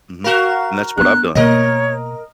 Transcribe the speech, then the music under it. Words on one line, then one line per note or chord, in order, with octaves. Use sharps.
Mhm. And that's what I've done.
F#4 A#4 F5
B3 D4 F#6
B2 A#3 A#4 C#5 D#5